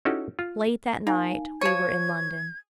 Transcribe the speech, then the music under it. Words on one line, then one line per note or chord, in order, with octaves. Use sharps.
Late that night we were in London.
C#4 D#4 E4 F#4 G4 A4
F4
A#3 D#4 G#5
F3 C#5 G#6 C#7 D#7 E7